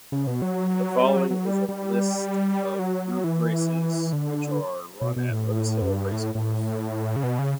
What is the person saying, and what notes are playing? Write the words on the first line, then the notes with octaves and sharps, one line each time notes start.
The following is a list of Group races which are run at Rosehill Racecourse.
C#3
B2
F#3
G3
F#3
F#3
G3
G3
F#3
E3
D3
B2
B2
A2
F#2
G2
A2
A2
C#3
B2
C#3